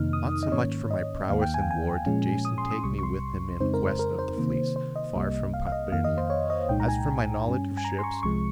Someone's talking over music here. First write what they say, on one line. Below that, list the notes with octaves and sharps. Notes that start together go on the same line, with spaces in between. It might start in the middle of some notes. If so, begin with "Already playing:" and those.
Not so much for my prowess in war did Jason take me with him in quest of the fleece, far from Parthenia, as for my knowledge of ships.
Already playing: F2 C3 D#3 A#3 D#4 F6
D#6
D#5
G#2 D#3 A#3 C#4 C#5
D#5
D#2 D#3 A#3 F5
G5
G#5
G5
G#5
A#2 F3 G#3 C#4
D#6
C6
D#6
C2 C3 G3 C#6
C#6
C6
F2 C#3 G#3 C4 D#4 C5
A#4
C5
A#4
C5
C3 D#3 A#3
C5
D#5
C2 C3 G3 A#3
F5
F5
D#5
F2 D#3 A#3 F5
D#5
C5
C#5
D#5
C2 A#2 G#3 D#4 G5
A#5
G#5
G2 G3 C#4
G#5
A#5
C6
C#6
C2 C3 F3 G#3 C#6